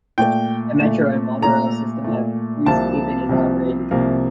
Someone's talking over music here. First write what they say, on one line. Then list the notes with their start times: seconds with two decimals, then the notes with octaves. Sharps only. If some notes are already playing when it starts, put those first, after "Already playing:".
A metro and a monorail system have recently been inaugurated.
0.18 A#2 A3 G5
0.80 A#2 A3
1.42 A#2 A3 A#5
2.04 A#2 A3
2.66 C2 C3 F3 A#3 A5
3.29 C2 C3 F3 A#3
3.91 C2 C3 F3 A#3